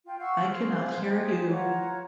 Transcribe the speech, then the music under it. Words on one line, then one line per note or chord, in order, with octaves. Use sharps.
I cannot hear you!
F4 G5
F5 F#5 C#6 E6
G#4 C5 F5
D#4 G4 G#4 C5
F4 C#5 F#5 A#5